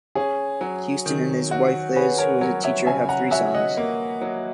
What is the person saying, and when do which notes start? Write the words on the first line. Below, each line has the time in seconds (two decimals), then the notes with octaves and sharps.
Houston and his wife Liz, who is a teacher, have three sons.
0.15 C#4 G#4
0.61 F#3
1.06 D#3
1.51 F#4
1.96 C#4 G#4 B4
2.18 A#4 C#5
2.41 F#3 A#4 C#5
2.64 C#5 E5
2.86 C#3 E5 G#5
3.09 F#5 A#5
3.31 F#4 E5 G#5
3.54 D#5 F#5
3.77 A#3
4.21 F#3